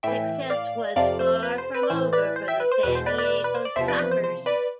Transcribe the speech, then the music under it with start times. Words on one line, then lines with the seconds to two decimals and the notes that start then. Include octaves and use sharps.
Success was far from over for the San Diego Sockers.
0.03 A2 E3 E5 G5
0.50 D5 F5
0.96 F2 C3 F3 D5 F5
1.19 C5
1.43 B4
1.58 C5
1.74 B4
1.83 D5
1.90 A2 E3 C5
2.13 B4 D5
2.36 C5
2.48 E5 G5
2.60 B4
2.72 C5
2.83 E2 B2 B4
2.95 C5
3.06 B4 D5
3.18 B4 D5
3.44 B4
3.55 C5
3.65 D5
3.76 E2 C3 F3 C5 E5
3.88 B4 D5
3.99 B4
4.11 C5
4.24 C5
4.46 B4 D5